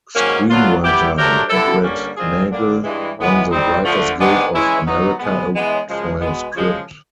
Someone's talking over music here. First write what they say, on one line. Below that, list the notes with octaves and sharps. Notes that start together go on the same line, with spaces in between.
Screenwriter Margaret Nagle won the Writers Guild of America Award for her script.
G#2 D#3 F#3 A#3 C#4
F#3 B3 D4 F4
G3 B3 E4 G4
F#3 A3 D4 G4 A#4
D3 G3 B3 E4 A4
G2 D3 G3 A#3 C#4
D#3 G3 C4 F4 G#4
D3 G3 A#3 D4
G2 E3 G#3
A2 E3 G#3 B3
G3 C4 D#4
D3 F3 A3
G#2 D#3 G#3 B3 D4
E3 G#3 C#4 E4
F#3 B3 D#4
B2 G#3 B3
E3 G#3 B3
F#2 C#3 F3 G#3
B2 G#3 B3
C#3 F3 G#3